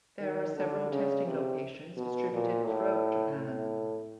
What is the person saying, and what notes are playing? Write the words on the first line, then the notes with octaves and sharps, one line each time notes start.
There are several testing locations distributed throughout Japan.
D#3
D3
C#3
C3
B2
A#2
A2
A2